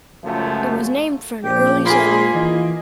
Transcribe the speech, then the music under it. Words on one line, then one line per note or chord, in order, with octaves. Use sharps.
It was named for an early settler.
C#2 F#2 F3 A3
A#1 F3 G4 G5
A#3 F4 G#4 B5 C6
E3 D#5